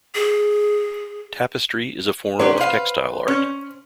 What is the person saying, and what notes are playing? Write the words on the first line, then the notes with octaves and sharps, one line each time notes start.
Tapestry is a form of textile art.
G#4
F#3 D4 G4 C5
B4 F5
C#4